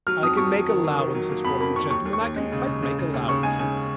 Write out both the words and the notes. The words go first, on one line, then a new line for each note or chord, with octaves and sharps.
I can make allowances for you, gentlemen, I can quite make allowances.
F#3 F6
F2 D#6
F2 C#6
F#3
D#3
F#3
D#3
F#3
A#3
F2 B5
A#3 B5
D#3 C#6
D#2 C#6
D#2
C#6
D#2
G#3
C#3
C#3
C#3
C#3
D#2
C#3 C#6
G#3 G#5
C#3 G#5